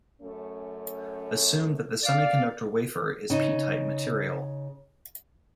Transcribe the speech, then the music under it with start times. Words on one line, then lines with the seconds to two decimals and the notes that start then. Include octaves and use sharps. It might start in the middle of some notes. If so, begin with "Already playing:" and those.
Assume that the semiconductor wafer is p-type material.
0.22 F#2 A3 C#4
2.04 D5 F5
3.30 C#3 D#4